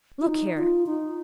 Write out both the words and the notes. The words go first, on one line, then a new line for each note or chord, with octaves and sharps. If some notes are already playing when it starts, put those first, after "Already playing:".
"Look here!"
F4
D#4
F4
D#4